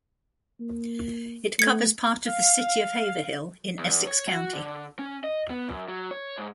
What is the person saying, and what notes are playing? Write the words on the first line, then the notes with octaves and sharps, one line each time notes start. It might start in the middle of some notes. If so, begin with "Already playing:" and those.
It covers part of the city of Haverhill in Essex County.
A#3
A3 G#6 C#7
F5
E2
C#5
F#4
D3
C#4
D#5
B3
F#2
F#3
C#5
G#2